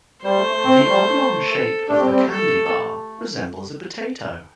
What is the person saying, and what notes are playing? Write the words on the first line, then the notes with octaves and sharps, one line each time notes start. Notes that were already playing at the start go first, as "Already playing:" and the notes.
The oblong shape of the candy bar resembles a potato.
G3 C5
A3
A3
C4
A3
G3
A3
A4
A3 D4 G4
G3 C4
G3 C4
A3
A4